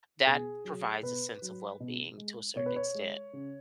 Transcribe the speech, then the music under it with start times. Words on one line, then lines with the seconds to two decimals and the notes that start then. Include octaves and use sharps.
that provides a sense of well-being to a certain extent.
0.26 B2 G#4
0.65 F#3
1.02 B2 B4
1.42 F#3
1.80 B2
2.18 G#3
2.56 B2 C#5
2.66 B4
2.76 C#5
2.95 G#3
3.33 C#3